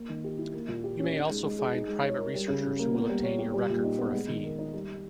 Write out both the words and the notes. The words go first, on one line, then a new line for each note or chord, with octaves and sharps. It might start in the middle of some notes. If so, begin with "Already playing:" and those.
You may also find private researchers who will obtain your record for a fee.
Already playing: A#3
D#3
G4
E4
A#3
A#2
G4
C#4
D#4
G#3
G#3
G#4
D#4
G#3
C#5
A#4
G3
C#3
C#4
A#3
B3
G3
C#5
G4
G3
A#2
D#4
B3
G#3
D#3
A#4
D#4
G3